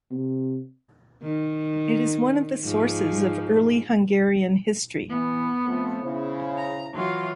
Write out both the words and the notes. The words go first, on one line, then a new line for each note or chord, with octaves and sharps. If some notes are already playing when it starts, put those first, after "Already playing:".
It is one of the sources of early Hungarian history.
C3
D#3
G#2 F3
E3 B3
F3 A3 C4
C#3 E4 C5
A#5
E3 F#3 F4